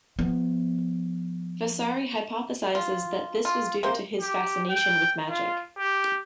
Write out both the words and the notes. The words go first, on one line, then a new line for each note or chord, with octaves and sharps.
Vasari hypothesizes that this was due to his fascination with magic.
F3 B3
F4
F4
C3 A#3 C5
G4
G5
F4
G4